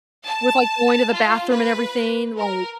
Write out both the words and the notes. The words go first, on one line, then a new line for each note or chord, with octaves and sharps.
with, like, going to the bathroom and everything, like
A5
F4
B4
A#4